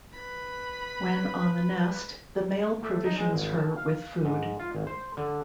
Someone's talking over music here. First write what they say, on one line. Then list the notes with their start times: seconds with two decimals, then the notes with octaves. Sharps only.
When on the nest, the male provisions her with food.
0.13 B4 B5
2.82 A3
3.06 D#4
3.18 G#3
3.34 G#1
3.59 A5
3.76 F5
4.25 G#2
4.59 F4
4.75 G#1
4.87 C5
5.17 D3